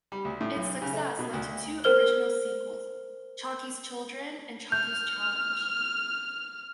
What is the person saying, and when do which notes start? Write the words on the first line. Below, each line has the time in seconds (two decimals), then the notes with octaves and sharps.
Its success led to two original sequels: "Chocky's Children" and "Chocky's Challenge".
0.12 G3
0.25 D2
0.41 A2
0.56 B1
0.82 C#3
0.93 A3
1.19 B2
1.33 D2
1.84 A#4 C5 F6 G7
4.72 F6 G6